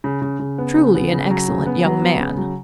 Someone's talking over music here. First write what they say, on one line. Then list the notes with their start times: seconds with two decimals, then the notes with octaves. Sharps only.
Truly an excellent young man.
0.04 C#3
0.22 C#3
0.40 C#3
0.58 B3
0.76 C#3
0.95 B3
1.12 C#3
1.30 F#3
1.48 C#3
1.66 B3
1.85 F#3
2.02 B3
2.20 C#3
2.38 F#3